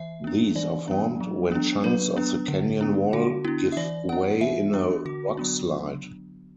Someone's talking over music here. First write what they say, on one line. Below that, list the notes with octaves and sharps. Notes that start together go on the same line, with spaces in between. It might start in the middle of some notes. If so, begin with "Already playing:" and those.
These are formed when chunks of the canyon wall give way in a rockslide.
Already playing: E3 E5
B3 D4
E3 D5
B3 D4
F#3
B3 D4
F#3 B4
B3 D4
D3
B3 D4
D3 F#4
B3 D4 E4
E5
E3 D5
B3 D4 F#5
E3 E5
B3 D4
D3 F#4
F#3 B3 D4